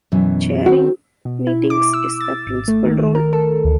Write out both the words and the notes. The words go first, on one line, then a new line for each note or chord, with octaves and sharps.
Chairing meetings is the principal role.
F#2 B2 E3
D#3 C4 F#4
B2
E4
D6
E6
A6
G#1
A3
D#3
A#4
A4
D2